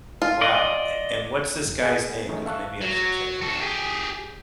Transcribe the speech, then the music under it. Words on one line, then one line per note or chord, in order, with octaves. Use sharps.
Wow, a and, what's this guy's name? 'Cause maybe I should check him out.
F4
D5 D#5
B3 G#4
E3 A3 C#4 D#4 E4
E5 F5 A5 C#6 E6 F#6
F#3
F#4 A4
G4 G#4